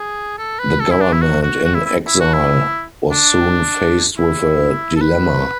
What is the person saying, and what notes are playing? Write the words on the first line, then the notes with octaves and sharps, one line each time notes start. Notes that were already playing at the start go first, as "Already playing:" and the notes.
The government-in-exile was soon faced with a dilemma.
Already playing: G#4
A4
B4
A4
E4
D4
E4
F#4
F#4
F#4
E4
E4
E4
F#4
E4
D4
E4
A4
B4